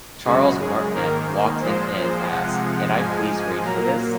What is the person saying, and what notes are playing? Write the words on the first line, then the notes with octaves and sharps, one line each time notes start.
Charles Martinet walked in and asked, "Can I please read for this?".
F#2 C#3 G#3 F#4
G#4
G#2 D#3 A#3 A#4
A#2 F3 G#3 C5
C5
C3 F3 G#3 F#5
G#2 F3 G#3 G#5
G#5
A#2 F#3 A#3 A#5